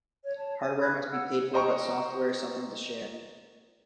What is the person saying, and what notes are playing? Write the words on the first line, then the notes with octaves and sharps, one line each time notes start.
Hardware must be paid for, but software is something to share.
C#5
C#5 A5
C#5 G#5
B5 F#6 G#6
B4
F#5 E6
C5 D#5 G5 A#5 C#6